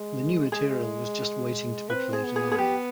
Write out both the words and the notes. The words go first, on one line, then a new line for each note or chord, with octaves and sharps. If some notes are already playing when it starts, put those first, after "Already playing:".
The new material was just waiting to be played live.
Already playing: G#3
G#3 G#4
C4 B4
G#4
B3
G#4
G#4
G4